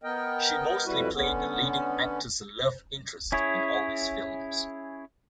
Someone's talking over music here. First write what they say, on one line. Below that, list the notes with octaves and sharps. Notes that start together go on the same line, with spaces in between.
She mostly played the leading actor's love interest in all these films.
B3 A#4 D#5 G5
F2 G3 E4 F#4 B4
D3 B3 C#4
C#4 E4 G#4 C#5